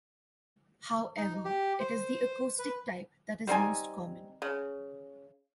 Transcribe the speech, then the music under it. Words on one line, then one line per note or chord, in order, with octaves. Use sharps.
However, it is the acoustic type that is most common.
D#4
G4
C5
B4
G3 C4 D#4 G#5
C#3